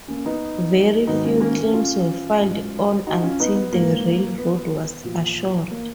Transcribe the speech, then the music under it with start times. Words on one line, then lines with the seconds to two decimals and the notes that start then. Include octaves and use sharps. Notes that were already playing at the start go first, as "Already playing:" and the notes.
Very few claims were filed on until the railroad was assured.
0.08 A#3 C#4
0.25 B3 D#4
1.07 G#2 D#3 F#3 B3 D#4
1.24 A#3 C#4
1.40 A#3 C#4
1.57 A#3 C#4
1.74 C#4 F4
2.41 G#2 F#3
3.07 D#4 F#4
3.22 C#4 F4
3.40 B3 D#4
3.55 B3
3.72 G#2 F3 A#3
4.38 B3
5.04 A#2 F3
5.71 A#3